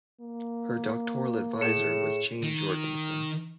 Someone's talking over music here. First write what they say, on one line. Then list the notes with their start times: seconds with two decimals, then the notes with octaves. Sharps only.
Her doctoral advisor was Jane Jorgenson.
0.21 A#3
1.61 A2 G#4 C#7 E7
2.43 D#3